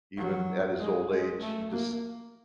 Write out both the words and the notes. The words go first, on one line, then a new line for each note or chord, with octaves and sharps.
even at his old age, he just
F#3
G#3
G#3
A3
A#3